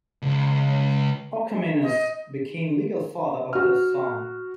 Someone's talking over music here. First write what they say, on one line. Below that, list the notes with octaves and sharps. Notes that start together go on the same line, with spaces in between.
Orchomenus became legal father of her son.
C#2
D#5
F#4 F6